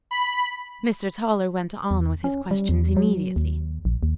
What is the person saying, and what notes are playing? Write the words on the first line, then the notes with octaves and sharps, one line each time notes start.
Mr. Toller went on with his questions immediately.
B5
E2
C#4
G3
E2
F#3
D#2
A#1
D#2